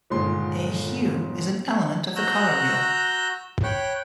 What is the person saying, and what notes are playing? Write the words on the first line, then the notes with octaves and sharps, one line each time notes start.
A hue is an element of the color wheel.
G1 A#2 D#3 G#3 C6
F#4 A#5 E6 F#6 G6
C#5 G5 B5 F#6